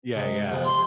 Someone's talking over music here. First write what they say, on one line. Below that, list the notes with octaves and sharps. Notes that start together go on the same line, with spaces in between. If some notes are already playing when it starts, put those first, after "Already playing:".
Yeah, yeah,
C3 G#3
F2 C3 B3
G4 C6